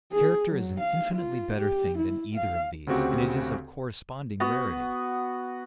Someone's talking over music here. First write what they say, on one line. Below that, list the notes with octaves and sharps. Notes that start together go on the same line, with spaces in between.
Character is an infinitely better thing than either of these, and it is of corresponding rarity.
G#4
F#3
F5
F4
G4
E4
F5
D2 C#3 C4 F#4 G4
B3 F#4